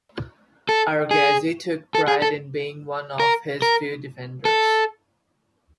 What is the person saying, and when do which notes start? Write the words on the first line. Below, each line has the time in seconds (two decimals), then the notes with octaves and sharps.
Arghezi took pride in being one of his few defenders.
0.69 A4
1.11 G#4
1.95 A4
2.08 G#4
2.22 A4
3.20 A#4
3.62 A#4
4.45 A4